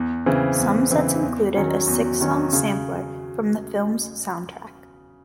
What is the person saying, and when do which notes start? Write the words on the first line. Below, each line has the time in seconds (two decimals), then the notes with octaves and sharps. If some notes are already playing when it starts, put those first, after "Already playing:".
Some sets included a six-song sampler from the film's soundtrack.
Already playing: E2
0.26 C#3 E3 C4
0.58 E2
0.91 C#3 E3 C4
1.23 E2
1.56 D#3 F#3 C#4
1.87 E2
2.21 D#3 F#3 C#4
2.53 C#3